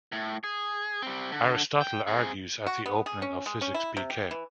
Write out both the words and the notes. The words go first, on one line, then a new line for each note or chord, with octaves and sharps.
Aristotle argues at the opening of Physics bk.
A2
G#4
G3 C4
D3
G5
C4 G#4
F#4
B3
G#4
C#4
G#3
C#4
E4
C3
G4
E3